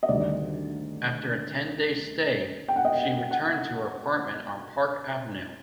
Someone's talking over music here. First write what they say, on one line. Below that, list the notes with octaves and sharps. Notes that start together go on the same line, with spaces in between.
After a ten-day stay, she returned to her apartment on Park Avenue.
D#5
D2 C3 D#3 G3 D5
G5
F#5
D#5
F#5